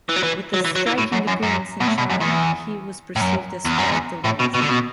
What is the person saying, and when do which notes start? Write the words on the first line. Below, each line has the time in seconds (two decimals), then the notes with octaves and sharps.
With a striking appearance and charm, he was perceived as quite the ladies man.
0.09 E3
0.16 F#3
0.23 E3
0.54 F#3
0.65 E3
0.76 F#3
0.87 E3
0.98 A2
1.13 F#2
1.28 F#2
1.43 F#2
1.80 B2
1.87 A2
1.98 B2
2.10 F#2
2.20 E2
3.16 A2
3.21 F#2
3.65 E2
3.78 F#2
3.91 E2
4.24 A2
4.39 B2
4.54 B2
4.61 D3
4.69 B2